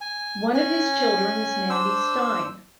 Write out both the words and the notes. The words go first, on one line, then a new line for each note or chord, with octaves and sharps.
One of his children is Mandy Stein.
G#5
C#4 G#5
D4 C5 E6